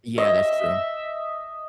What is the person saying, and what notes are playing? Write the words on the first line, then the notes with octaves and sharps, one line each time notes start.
Yeah, that's true.
D#5 E5